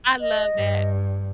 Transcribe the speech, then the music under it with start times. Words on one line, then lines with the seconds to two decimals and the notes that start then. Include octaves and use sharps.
I love that.
0.21 D#5
0.55 G2